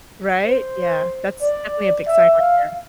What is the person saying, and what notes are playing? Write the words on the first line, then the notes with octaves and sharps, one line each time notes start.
Right? Yeah, that's definitely a big sign right there.
C5
D5
E5
F5